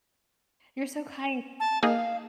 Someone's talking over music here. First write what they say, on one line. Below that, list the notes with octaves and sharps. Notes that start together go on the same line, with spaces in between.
You're so kind.
A5
A#3 D#4 G#4 F5